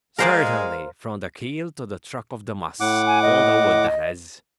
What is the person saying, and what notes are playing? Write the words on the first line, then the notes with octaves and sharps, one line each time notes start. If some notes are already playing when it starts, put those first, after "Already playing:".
"Certainly, from the keel to the truck of the masts--all the wood, that is."
G#3 A#4 C5 D5 F5
A2 F#5 D6
G#5
D#5